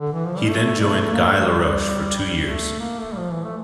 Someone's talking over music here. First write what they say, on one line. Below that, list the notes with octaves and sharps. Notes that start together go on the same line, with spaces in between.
He then joined Guy Laroche for two years.
D3
E3
F3
G3
A3
G3
A3
A3
A#3
A3
F3
G3
A3
A#3
A3
G3
F3
E3
A3